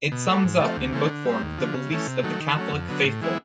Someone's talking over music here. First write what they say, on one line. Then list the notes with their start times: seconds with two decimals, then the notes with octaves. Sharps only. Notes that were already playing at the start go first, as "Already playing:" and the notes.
It sums up, in book form, the beliefs of the Catholic faithful.
0.12 B2
0.27 F#3 A3
0.44 G#2
0.60 F3 A3 C4
0.77 D2
0.93 C#3 E3 A3 C4
1.09 D3
1.26 G3 C4
1.42 D#2
1.58 D3 F3
1.74 C#3
1.91 E3 A3 C#4
2.07 C3
2.23 D#3 F#3 A3
2.40 D#3
2.56 F#3 A3 C#4
2.73 F2
2.89 D3 F#3 B3
3.05 A2
3.22 E3 G#3 B3 E4